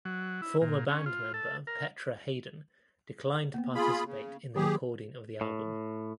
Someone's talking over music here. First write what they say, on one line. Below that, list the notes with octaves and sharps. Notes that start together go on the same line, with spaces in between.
Former band member Petra Haden declined to participate in the recording of the album.
F#3
E4
A#2
C#4
F4
A4
A#4
A#3 B3
F4 G#4 B5
C#3
D#3 F#3 A#3 G4 G#4
A2